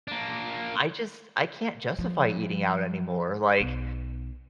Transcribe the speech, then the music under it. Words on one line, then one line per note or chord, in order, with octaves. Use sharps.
I just I can't justify eating out anymore like
A#3 D4
F3
B1